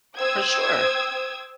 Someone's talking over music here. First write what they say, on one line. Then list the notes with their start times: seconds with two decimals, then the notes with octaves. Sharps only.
For sure.
0.18 C5 G5 D#6 E6 G#6